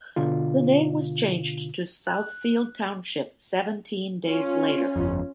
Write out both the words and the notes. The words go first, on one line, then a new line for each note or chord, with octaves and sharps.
The name was changed to Southfield Township seventeen days later.
B2 D3 F4
F#6
C#4 F4
G1 F2